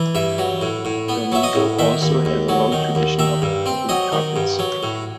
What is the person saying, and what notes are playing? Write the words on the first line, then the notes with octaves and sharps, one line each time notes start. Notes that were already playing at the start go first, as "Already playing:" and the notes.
Donegal also has a long tradition of weaving carpets.
Already playing: E3
G2 E5
F#3
A2
A2
B3
F#3 E5
D#5
A2
D#3 E5
D#2
D#2
F#3
D#3
D#2
D#3 E5
G2
C4
F#3 D#5
D#3
G2
F#3
A2